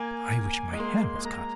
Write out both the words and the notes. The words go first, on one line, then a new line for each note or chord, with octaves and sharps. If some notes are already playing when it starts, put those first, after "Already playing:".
I wish my hair was cut!
Already playing: A#3 G#5
G#3
A#3 C6
A#3
G#3
A#3 A#5